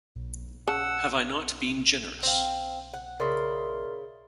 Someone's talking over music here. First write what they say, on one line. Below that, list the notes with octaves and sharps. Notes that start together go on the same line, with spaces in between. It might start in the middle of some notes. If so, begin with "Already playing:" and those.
Have I not been generous?
C#3 F#5 A5 E6
C4 F5
F#5
C#3 E4 A#4 D5 C6